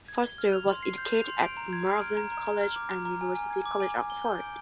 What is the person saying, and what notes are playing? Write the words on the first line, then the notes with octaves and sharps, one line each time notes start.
Foster was educated at Malvern College and University College, Oxford.
G#6
G7
F6
F7
C6
C7
G6
F7
C6
D7
A#5
G#6
F6
D7
A#5
A#5
A#5
F6
D6
A#5
A#5
G#5
G#5
G#6
D6
G#5
G#5
G7
G6
D7